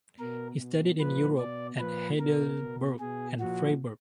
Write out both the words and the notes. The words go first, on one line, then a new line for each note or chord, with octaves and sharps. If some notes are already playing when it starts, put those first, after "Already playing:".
He studied in Europe at Heidelberg and Freiburg.
B2 A#4
B2
A#2 F3 B4
B2 D5
A#2 F3 B4
B2 A#4
B2
B2 G#4
A#2 F3 F#4